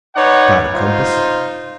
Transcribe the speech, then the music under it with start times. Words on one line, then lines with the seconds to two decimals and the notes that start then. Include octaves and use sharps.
"Got a compass?"
0.16 D#4 B4 C#5 D5 F#5
0.74 D#4 F4 C5